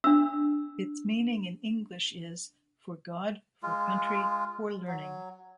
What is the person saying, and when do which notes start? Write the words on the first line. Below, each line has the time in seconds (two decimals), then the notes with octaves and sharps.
Its meaning in English is "For God, For Country, For Learning".
0.04 D4 E6
3.63 G#3 F4
4.88 F#3